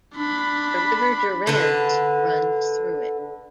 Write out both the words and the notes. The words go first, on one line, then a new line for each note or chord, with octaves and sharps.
The river Durance runs through it.
D4 B5
D3 B4